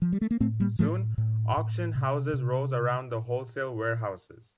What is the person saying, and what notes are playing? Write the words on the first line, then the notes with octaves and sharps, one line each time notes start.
Soon, auction houses rose around the wholesale warehouses.
F3
G3
A3
A#3
A2 A3 C4
G3 A#3
A2 F3 A3
A2
A2
C3
C3